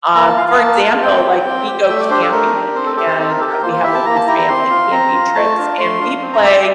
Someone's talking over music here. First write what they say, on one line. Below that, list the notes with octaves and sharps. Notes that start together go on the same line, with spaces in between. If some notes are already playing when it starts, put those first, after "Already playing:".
Um, for example, like, we go camping and, uh, we have, like, these family camping trips, and we play
A#3 A#5
A5
F4 F5
F5
A#3 A5
F4
C4 G5
G4
C4
G4
A3 E5
D5
D4 G4 C5
A4
A3 A#4
D4 G4
C4 C5
A4
G4 A4
C5
C4 A4
A#4
G4 A4
A#4
A#3 C5
C5
E4 G4 E5
A5
A#3 A#5
A5
E4 G4 A#5
A#5
C4 C6
F4
C4 A#5
F4
A3 A5
D4 F4
A3 C6
D4 F4
C4
A#5
G4 E5
D5